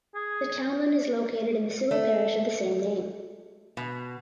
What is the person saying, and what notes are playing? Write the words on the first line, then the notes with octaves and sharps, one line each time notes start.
The townland is located in the civil parish of the same name.
G#4
A3
B2